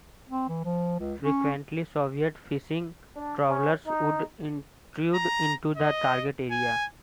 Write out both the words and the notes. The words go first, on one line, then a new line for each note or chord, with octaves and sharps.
Frequently, Soviet "fishing trawlers" would intrude into the target area.
C4
E3
F3
C#2
C#4
D4
C#4
D#4
A#5
D#5
G#5